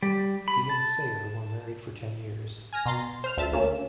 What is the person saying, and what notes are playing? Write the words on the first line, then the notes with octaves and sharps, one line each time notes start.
He and Sayer were married for ten years.
G3
B5
A5
G#5 F6 A#6
B2 A#5 C6 A6
C5 F6
D2 E5 A5
D2 A#3 C#4 E7